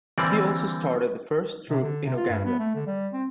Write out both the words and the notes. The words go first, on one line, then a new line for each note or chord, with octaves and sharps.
He also started the first troop in Uganda.
D3 E3 G3 A#3 C4 D5
C3
D3
C3
F4
G2
B3
A3
D3
G3
C4